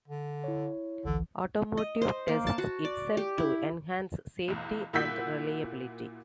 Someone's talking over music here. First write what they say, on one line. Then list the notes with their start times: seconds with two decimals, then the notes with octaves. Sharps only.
Automotive tests itself to enhance safety and reliability.
0.08 D3
0.44 E4 C#5
1.05 A1 D2 D3 E3
1.77 D#5
2.02 C5
2.28 A#3
2.47 A5
2.58 F#4
2.85 D5
3.17 G4
3.38 E4
4.48 B1 E2
4.93 A#2 E4 F#4 E6 G6 B6